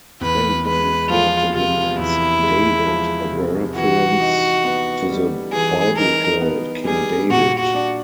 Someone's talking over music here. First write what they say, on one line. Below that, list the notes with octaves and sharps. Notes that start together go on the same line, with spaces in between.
They referred to him as 'David', a reference to the Biblical king David.
E2 B4
G#3 B4
F3 F4
C3 F4
E2 E4
G#3
F3
C3
E3 F#4
D#4
B3
G3
E3 G#4
D#4 A#4
B3
G3 G#4
A#2 F#4
F#4
D4